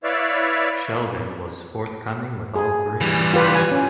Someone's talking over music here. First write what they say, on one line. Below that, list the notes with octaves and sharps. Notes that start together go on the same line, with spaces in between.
Sheldon was forthcoming with all three.
E4 B4 C#5 D5 E5 F5
G#4
E3 G3
F4 G4 B4
G#5
C#4